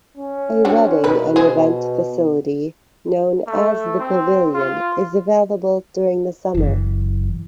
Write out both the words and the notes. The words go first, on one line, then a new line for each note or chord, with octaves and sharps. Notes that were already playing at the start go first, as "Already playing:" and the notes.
A wedding and event facility known as "The Pavilion" is available during the summer.
C#4
C4 D4 F#4
B2 D#3 B4
B3 G#4 C5
A3
C4
F4
F#1 E3